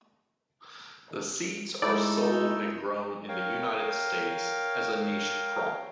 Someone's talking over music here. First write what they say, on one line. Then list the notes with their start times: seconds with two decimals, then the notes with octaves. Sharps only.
The seeds are sold and grown in the United States as a niche crop.
1.82 G#3 A3 D#4 E4 A4 B4 D5 E6
3.29 A#4 C#5 F5 G5